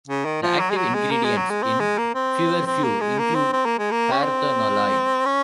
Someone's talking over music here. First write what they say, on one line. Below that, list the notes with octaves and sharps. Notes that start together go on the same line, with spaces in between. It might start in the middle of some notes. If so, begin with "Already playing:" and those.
The active ingredients in feverfew include parthenolide.
C#3
D#3
F3
F#3
G#3
F#3
G#3
A#3
G#3
F#3
G#3
C4
G#3
A#3
C4
C4
A#3
G#3
A#3
C4
C4
A#3
G#3
A#3
C#4
C4
C#4